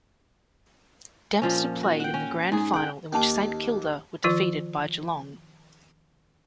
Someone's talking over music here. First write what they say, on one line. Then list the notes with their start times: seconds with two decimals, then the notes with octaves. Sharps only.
Dempster played in the grand final in which Saint Kilda were defeated by Geelong.
1.42 A#2 F3 C#4
1.83 F#4
2.00 F#5 G5
2.14 C#4
2.52 G#2 G#4
2.74 F#5 G5
3.12 D#2 A#3 C#4 A5
4.24 D#3 F3 F4